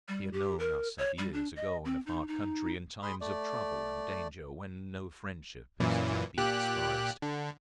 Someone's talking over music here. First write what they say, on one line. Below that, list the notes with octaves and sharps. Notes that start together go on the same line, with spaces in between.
He had known Arsat years ago, in a far country in times of trouble and danger, when no friendship is to be despised.
G3
G4
A#4
C#5
G3
D4
D#5
C4
D#4
D#4
G#4 B5 C6
A3 D5
F#2 A#2 E3
A#2 G4 F#6
D3